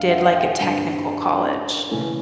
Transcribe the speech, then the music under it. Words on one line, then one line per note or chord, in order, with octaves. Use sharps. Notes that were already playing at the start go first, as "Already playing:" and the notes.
did, like, a technical college.
Already playing: F2 D3 G3 F5
E5 F#5
F5 G5
F#5 G#5
G2 D3 G3 C4 F#5 G#5
F#5 G#5
C#3 E3 A3 C#4 E4